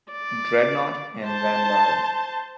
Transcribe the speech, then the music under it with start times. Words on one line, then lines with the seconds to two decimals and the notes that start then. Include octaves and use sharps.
"Dreadnought" and "Vanguard".
0.12 D5
1.24 C5 A5